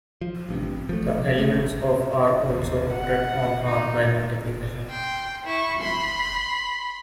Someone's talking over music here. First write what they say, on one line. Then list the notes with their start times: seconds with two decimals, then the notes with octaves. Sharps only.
The elements of "R" also operate on "R" by multiplication.
0.21 F3
0.49 A1 G2 C3
0.89 F3 A3
1.18 C3
1.38 A3
1.64 B1
2.52 D#2
2.92 F#5
3.65 D#4
4.90 G5 C6
5.45 E4 C#6
5.81 B5 C6